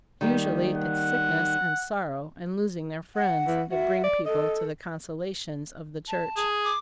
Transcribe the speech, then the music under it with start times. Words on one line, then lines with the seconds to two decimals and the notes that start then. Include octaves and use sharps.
Usually it's sickness, and sorrow, and losing their friends that bring people to the consolations of the church.
0.21 D#3 G3 A#3
0.76 F#5
3.15 F#5
3.47 E3
3.71 F#4 E5
4.04 D5
4.26 A4 D#5
6.08 A5
6.37 G#4
6.65 D6